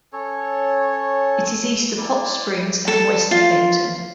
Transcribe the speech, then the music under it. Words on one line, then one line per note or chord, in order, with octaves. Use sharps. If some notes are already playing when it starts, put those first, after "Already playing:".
It is east of Hot Springs and west of Benton.
C#4 A4 C#5
E4 D5
A4
F4